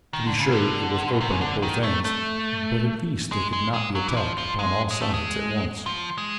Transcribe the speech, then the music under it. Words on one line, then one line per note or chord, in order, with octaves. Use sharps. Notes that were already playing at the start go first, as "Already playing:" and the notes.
To be sure it was open at both ends but at least they could not be attacked upon all sides at once.
D#3
D3
C#3
D3
B2
C3
C#3
D3
D#3
A3
A3
G#3
G#3
G#3
F#3
E3
F3
F3
G#3
G#3
A3
G#3
F3
G#3